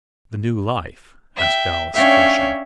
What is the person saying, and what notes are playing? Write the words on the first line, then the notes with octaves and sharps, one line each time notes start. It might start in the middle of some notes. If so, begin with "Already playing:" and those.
"The new life?" asked Alice, flushing.
E5 G5
C#4 D4 C#5 E5 F5 G5